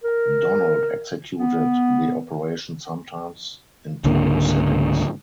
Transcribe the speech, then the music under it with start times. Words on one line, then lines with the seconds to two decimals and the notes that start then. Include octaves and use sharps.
Donald executed the operation sometimes in two sittings.
0.04 A#4
1.37 B3
4.04 C#2 G#2 D3 A#3